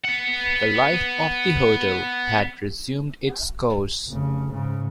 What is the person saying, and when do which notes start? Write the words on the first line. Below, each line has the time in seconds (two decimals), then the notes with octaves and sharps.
The life of the hotel had resumed its course.
0.04 B3 F#5
4.08 F1 C#3
4.52 G#2 C#3